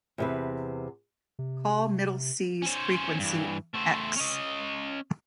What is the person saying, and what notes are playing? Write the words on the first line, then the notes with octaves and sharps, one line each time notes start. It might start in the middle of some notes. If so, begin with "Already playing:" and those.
Call middle C's frequency "x".
E2 C3 B4
C3
C#4 C5
G2 E3
A3 C5
C#4 D#5